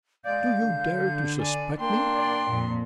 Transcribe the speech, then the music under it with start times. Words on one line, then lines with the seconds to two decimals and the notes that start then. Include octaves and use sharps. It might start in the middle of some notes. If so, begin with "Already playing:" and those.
"Do you dare to suspect me?"
0.25 G#3 D5 F5 G6
0.58 D3
1.39 D5 G#5
1.79 A#3 D4 G5 C6
2.16 D5
2.49 F2 A#2